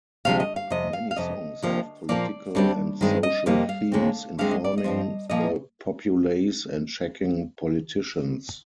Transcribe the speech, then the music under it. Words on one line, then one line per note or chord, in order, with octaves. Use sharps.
Many songs have political and social themes, informing the populace and checking politicians.
D2 C3 F3 G#3 F5
D#5
F5
F2 C3 D#5
F5
F5
F2 C3 D#5
D2 C3 F3 A#3
A#2 F3 A#3 D5
D2 D3 G3 C4
G2 D#3 G#3 C4
D#5
F2 C3 G3 A#3 D#5
F5
D#2 D3 G#3 C4
D2 D3 G#3 C4 F5
D#5
D5
D#5
G2 F3 C4
A#2 F3 A#3 D#5